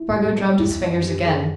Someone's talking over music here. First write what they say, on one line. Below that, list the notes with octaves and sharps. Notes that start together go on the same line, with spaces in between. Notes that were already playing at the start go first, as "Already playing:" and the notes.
Spargo drummed his fingers again.
Already playing: E4
A2
G4
A2
D#5
F#2 E4
F2
F#2 D#5
G4
G#4